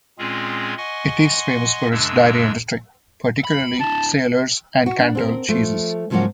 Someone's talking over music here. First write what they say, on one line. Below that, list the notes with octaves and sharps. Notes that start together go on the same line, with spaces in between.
It is famous for its dairy industry, particularly Salers and Cantal cheeses.
A#2 G#3 C4 C#4 F4 G#4
D#5 F#5 G#5 C6 C#6
F#2 C#3 G#3 D4 E6
B5
D4 E4 A5
F#4
D4
C4 G#4 A#4
F3 A3
G#2 C#3 F3 F#3 A#3 F#4